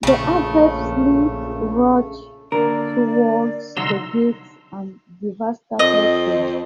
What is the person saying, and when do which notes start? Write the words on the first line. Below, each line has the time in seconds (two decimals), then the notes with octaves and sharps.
They aggressively rushed towards the gate and devastated them.
0.03 A#1 C#3 A3
2.52 D3 A#3 A#4 D5
3.77 C2 D3 F#3 D#4 A#5 C6 E6
5.79 F2 D#5